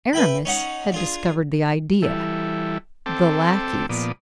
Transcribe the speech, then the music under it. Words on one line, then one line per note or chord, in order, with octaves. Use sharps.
Aramis had discovered the idea, the lackeys.
B4 E5 G5 B5
C#4 D#4 F#5
D4 F4 G#4
E3 G3 E4 A4
C4 A4 G5 A5 D6 E6
A#2 F3 B3 D5 D#6